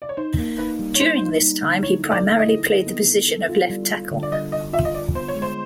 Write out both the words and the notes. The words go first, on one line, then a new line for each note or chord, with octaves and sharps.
During this time, he primarily played the position of left tackle.
D5
C#5
D#4 C5
A#3
D#4 B4
G3
C#5
D#4 C5
D#4
G3
D3
E4 C#5
A4
D5
A4
D#5
E4
A4
B3
B3
A4
F4
G3
G3
D3
D5
G3 D#5
G3 D#5
F4 E5
D#5
F4 D5
B3 C5
C#5
G#3
C5